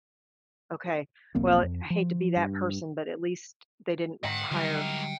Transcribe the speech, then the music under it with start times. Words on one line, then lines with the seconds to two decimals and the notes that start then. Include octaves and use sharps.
Okay. Well, I hate to be that person, but at least they didn't hire
1.35 E1 B1 A#3 C4
1.63 F2
1.90 F3
2.36 G2
4.24 G#2 F#5 G5 A#5
4.51 G#2 D3 F#3 G3 A#4